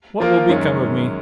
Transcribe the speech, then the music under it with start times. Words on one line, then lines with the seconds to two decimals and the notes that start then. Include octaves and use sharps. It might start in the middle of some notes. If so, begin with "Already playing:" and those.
What will become of me?
0.20 F3 A#3 F4 A#4
0.49 F#2 D#3 G#3 C#4